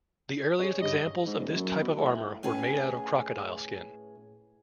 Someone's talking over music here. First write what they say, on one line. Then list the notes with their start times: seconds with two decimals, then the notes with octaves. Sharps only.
The earliest examples of this type of armor were made out of crocodile skin.
0.60 G#4 C#5
0.82 G2 D#5
1.26 G#2
1.39 D#1
1.52 F#2
1.80 B2
1.97 A2
2.43 A2 C#4 G#4 B4